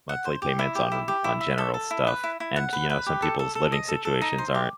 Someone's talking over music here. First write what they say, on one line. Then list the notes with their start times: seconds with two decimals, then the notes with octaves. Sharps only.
monthly payments on on general stuff, and, you know, some people's living situations aren't
0.09 F#5
0.25 C5
0.42 G4
0.59 E4
0.75 G4
0.92 E4
1.08 G4
1.24 E4
1.41 E5
1.58 A4
1.74 A4
1.91 E4
2.07 B4
2.24 E4
2.40 E4
2.56 F#5
2.73 B4
2.89 B4
3.06 G4
3.22 A4
3.39 A4
3.55 A4
3.72 D#5
3.88 A4
4.05 A4
4.21 D#4
4.38 C5
4.55 G4